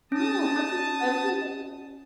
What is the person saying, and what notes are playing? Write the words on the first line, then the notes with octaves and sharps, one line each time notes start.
No, happens to everyone.
C#4 A5 D#6